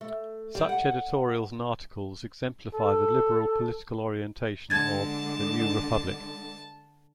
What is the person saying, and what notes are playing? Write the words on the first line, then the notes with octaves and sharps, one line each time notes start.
Such editorials and articles exemplify the liberal political orientation of "The New Republic".
A3
G3
F#5
A4
D3 G#3 A5 G#6 A6